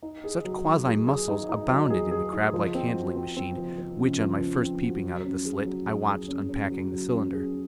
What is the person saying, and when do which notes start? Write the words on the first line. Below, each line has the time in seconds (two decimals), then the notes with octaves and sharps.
Such quasi-muscles abounded in the crablike handling-machine which, on my first peeping out of the slit, I watched unpacking the cylinder.
0.03 D#4
0.24 G#4
0.45 F#3
0.65 D#4
0.86 G#4
1.07 G#4
1.28 D#4
1.49 D#4
1.70 F#3
1.90 G#4
2.11 G#4
2.33 D#4
2.53 F3
2.75 C4
2.95 F#4
3.15 C4
3.37 C4
3.58 F3
3.78 F3
4.00 C#3
4.20 F3
4.41 F3
4.62 C4
4.82 F#4
5.04 F#3
5.25 C#4
5.45 G#4
5.66 F#3
5.87 G#4
6.08 G#4
6.28 C#4
6.49 C#4
6.70 F#3
6.92 F#3
7.13 C#4
7.33 G#4